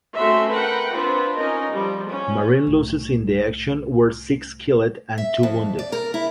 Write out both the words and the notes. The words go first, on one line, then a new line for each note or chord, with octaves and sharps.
Marine losses in the action were six killed and two wounded.
A3 C4 C#4 F#4 E5 C6
A#4 B4 F#5 G5
C4 D4 F4 B4 C5
C#4 D#4 A#4 D#5
F3 G3
C#4
C2 A2
E5
F2
D5
A#4
E4